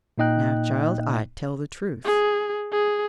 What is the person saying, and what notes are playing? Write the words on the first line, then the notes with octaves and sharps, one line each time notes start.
Now, child, I tell the truth.
A#2 A#3 D#4 D#5 G5 F#6
G#4
G#4